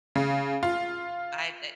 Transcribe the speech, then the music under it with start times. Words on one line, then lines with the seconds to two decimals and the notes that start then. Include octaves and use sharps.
I bet.
0.16 C#3
0.63 F4